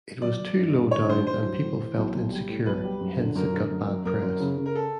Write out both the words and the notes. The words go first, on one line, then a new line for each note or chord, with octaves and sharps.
It was too low down and people felt insecure, hence it got bad press.
F#3 D5
F#3
G2
G2
D3 C#5
G2 C5
G2 C5
F#3
A2
E3
B1
B1
G3
A2
B1 B4
G3
F#2
D3
F#2 A#4
D3
F#2
F#2
F#2 A#4
F#2
C#3
C#3
A#4
A4